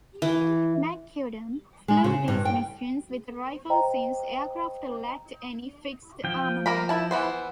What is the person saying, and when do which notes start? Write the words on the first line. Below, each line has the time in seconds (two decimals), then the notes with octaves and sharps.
McCudden flew these missions with a rifle since aircraft lacked any fixed armament.
0.22 E3
1.88 G#3
2.04 C#3
2.28 G2
2.45 G5
3.70 C5 D#5 G5 A#5
6.24 F3 G5
6.66 A#3 A#4 B5
6.89 E4 A5
7.11 E3 B3 C5